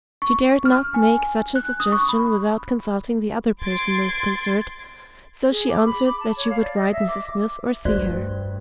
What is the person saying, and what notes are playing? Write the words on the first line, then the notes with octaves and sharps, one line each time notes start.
She dared not make such a suggestion without consulting the other person most concerned, so she answered that she would write Mrs. Smith or see her.
C#6
F6
G#5
F#6
D#6
C#6
B5
C6 G#6 A6 D7
G#4
D6
B5
D6
A5
C#5
F5
D5
D#5
E5
D6
G2 A3 F#4 C5 D5